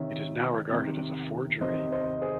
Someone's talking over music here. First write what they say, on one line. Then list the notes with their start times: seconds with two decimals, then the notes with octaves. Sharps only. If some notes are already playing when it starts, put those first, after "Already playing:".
It is now regarded as a forgery.
Already playing: C3 D#3 C#5 E5
0.71 C3 D#3
1.61 C3 D#3 C5 D#5
1.92 C5 D#5
2.22 G#4 C5